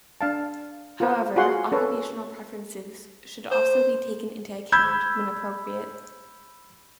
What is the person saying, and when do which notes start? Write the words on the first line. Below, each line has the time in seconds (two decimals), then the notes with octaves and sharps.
However, occupational preferences should also be taken into account when appropriate.
0.21 D4 F5 A5
1.00 F4 A#4 C5
1.36 F4 F#4 G#4 C#5 F#5 C6
1.72 C#4 A4 B4 C#5
3.51 C5
4.72 B5 E6 G6 G#6